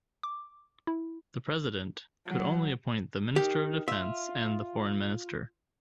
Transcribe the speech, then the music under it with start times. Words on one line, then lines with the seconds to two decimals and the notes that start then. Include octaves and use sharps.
The President could only appoint the Minister of Defence and Foreign Minister.
0.23 D6
0.87 E4
2.27 F#3
3.36 D#3 G4
3.88 F4 E5